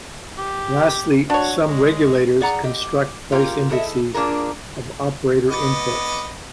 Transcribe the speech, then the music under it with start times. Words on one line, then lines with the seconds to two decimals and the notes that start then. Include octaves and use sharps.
Lastly, some regulators construct price indices of operator inputs.
0.38 G4
1.30 D4 F#4 C#5
1.68 G#3
2.41 G#4 D5 F#5 A#5
2.64 G4 D#5
3.32 A#3 C#4 F4 G4 G#4
3.69 E4 G#4 A4 C5 D#5 E5
4.14 A#3 D4 F4 G#4 A#4
5.51 B3 D#5 D6